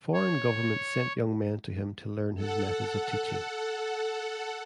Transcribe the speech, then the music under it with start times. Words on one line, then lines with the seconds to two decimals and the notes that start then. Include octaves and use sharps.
Foreign governments sent young men to him to learn his methods of teaching.
0.13 C#5
2.35 A4 F#5